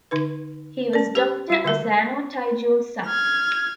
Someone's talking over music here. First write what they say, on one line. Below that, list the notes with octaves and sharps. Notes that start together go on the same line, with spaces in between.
He was Doctor Asano Taijun's son.
D3 D#4 B4
C#4 D5
G4 C5
G3 F#4
D3 G3 A#4
F6 G#6